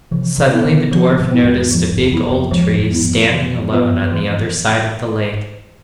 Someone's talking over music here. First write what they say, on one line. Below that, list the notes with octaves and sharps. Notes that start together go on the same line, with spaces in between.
Suddenly the dwarf noticed a big old tree standing alone on the other side of the lake.
C3 E3 F3
B2 D3
B3 E4
B2 D3
B2 D3 F3
G#2 B2
B3 E4
E2 G#2
E2 G#2 F3
E2
F2 B3 E4
F2
E2 G#2 F3
E2 G#2
B3 E4
F2
E3
B3 F4 B4 E5
E3